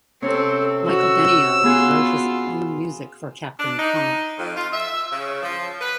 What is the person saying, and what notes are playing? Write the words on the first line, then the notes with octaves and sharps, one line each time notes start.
Michael Denio wrote his own music for Captain Comic.
C3 C4 C#4 A4 C#5
F#4 E6
B3 F4 F#4 G#4
D4
D#4
F2
F4
E5
C#3
F3
B4